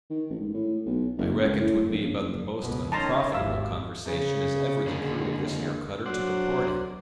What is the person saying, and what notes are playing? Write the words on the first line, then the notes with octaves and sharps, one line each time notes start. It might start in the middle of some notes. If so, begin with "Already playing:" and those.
I reckon 'twould be about the most onprofitable conwersation as ever the crew of this here cutter took a part in.
D#3
A1
G#2
A2
B1
F#1
C#2
A2
A#1
C#3
F#1
C#2 B2
D#3 C#4 A5 A#5 C6
G#1 D#2 E5 F5 E6
C#3 G#4
D3 A#3
F#3 D4 C5 F#5